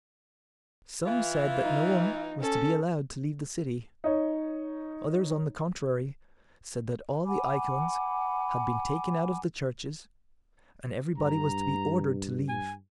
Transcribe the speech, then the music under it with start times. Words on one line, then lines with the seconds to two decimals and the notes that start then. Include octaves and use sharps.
Some said that no one was to be allowed to leave the city, others on the contrary said that all the icons had been taken out of the churches and everybody was to be ordered to leave.
1.06 E3 F4
1.62 D#4
2.41 C#4 A4
4.04 D#4 C#5
7.24 F#5 G#5 B5 D6
11.18 G2 A#5
12.49 G#5